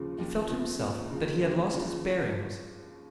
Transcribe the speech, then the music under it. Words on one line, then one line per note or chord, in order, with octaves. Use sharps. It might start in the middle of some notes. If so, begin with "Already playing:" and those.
He felt himself that he had lost his bearings.
Already playing: D#2 C#3 F3
D#2
C#3 F3
D#2
C#3 F3
D#2
C#3 F3